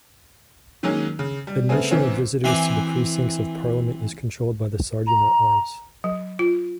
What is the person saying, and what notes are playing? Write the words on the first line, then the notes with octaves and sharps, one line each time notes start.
Admission of visitors to the precincts of Parliament is controlled by the Serjeant-at-Arms.
D#3 F#3 G#3 A#3 C#4 D#4
C#3
G3
C#3 A3 B3 C4 G#4
G#2 C3 E3 C4 C#4
E3 C4 G#5 D6
A#5
F#3
F4